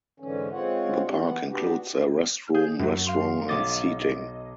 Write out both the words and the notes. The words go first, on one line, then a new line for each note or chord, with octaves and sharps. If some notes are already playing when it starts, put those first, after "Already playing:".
The park includes a restroom, restaurant and seating.
G#2 D3 E3 C#4
G#3 C4 F4 C#5 F#5
F2 G3 D4
E3 B3 F#5
B3 D4 F#4 G4
G#4 G6
F#2 F#3
F5 C6
B1 D#5 D6 A6